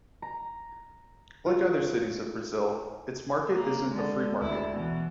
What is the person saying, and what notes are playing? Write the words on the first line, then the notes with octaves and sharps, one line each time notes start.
Like other cities of Brazil, its market isn't a free market.
A#5
F4
A#3
D3 G#3
D2 E4
B2 E3